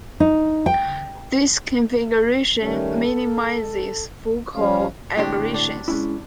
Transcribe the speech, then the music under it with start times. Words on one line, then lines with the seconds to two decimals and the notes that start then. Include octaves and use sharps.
This configuration minimises focal aberrations.
0.20 D#4
0.66 G5
2.61 D#3 G3 A3 C#4
3.02 A4
4.55 F3 G3 C#4 F5
5.17 A2 D3 C4 D4 G4 C6
5.54 D4
5.88 G#3 C#4 E4